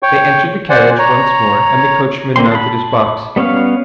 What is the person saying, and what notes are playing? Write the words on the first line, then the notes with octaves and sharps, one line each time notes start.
They entered the carriage once more, and the coachman mounted his box.
C#5 G5 C#6
C5 D5 F#5 G#5
C#5 A#5
D3 A#3 C4 C6
A5 B5
G3 B3 C#4 C#5 F5